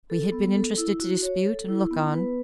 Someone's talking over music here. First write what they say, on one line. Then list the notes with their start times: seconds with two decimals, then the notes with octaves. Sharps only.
We had been interested to dispute and look on.
0.10 A4
0.32 B3
0.55 A4
0.78 E4
1.00 F#4
1.23 C#5
1.45 A4
1.69 E4
1.91 B3
2.14 B4